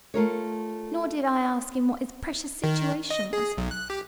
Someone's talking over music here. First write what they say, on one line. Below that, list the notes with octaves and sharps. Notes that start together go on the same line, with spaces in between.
Nor did I ask him what his precious situation was.
A3 F4 A#4 C#5
D#3
D#5
G#4
B1
F#6
G4